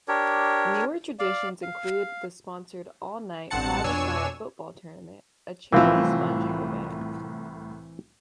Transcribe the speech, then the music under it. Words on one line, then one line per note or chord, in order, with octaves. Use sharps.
Newer traditions include the sponsored all night five-a-side football tournament, a "charity sponging" event.
D4 G4 A#4 C#5
D5 F5
F5
A1 G2 C4 F#5 A5 C#7
F2 B2 D4 C#5 G#5 E6
C2 A2 E3 F3 C4 E4 A#4 F5